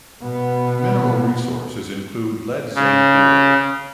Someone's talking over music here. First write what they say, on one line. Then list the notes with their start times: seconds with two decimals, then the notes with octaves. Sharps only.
Mineral resources include lead-zinc ore.
0.21 B2 B3
2.75 C#3